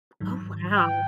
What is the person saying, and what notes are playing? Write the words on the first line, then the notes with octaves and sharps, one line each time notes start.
Oh, wow.
G#2 D#3 F#3
G5